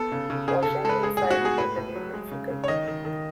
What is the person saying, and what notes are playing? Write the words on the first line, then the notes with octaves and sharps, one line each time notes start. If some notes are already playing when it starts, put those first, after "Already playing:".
Washington sided with the New Mexican.
Already playing: B3 A4
C#3
C#3
C#3 G#4
A4
C#3
G#3 A4 B4
G#3 G#4
G#4
A2
F#4
B3 G#4
A2 B4
A2
F#3
G#3
C#3
C#3
C#5
D#3 D#5
D#3
D#3